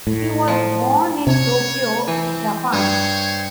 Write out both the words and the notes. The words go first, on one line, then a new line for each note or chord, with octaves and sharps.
She was born in Tokyo, Japan.
A2
F3
C3 C#5
E3 C4
G2 C5 C#5